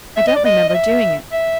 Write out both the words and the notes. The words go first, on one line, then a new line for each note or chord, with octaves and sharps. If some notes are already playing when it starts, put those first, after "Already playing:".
I don't remember doing it.
E5
D#5
D5
D#5
D#5
E5
E5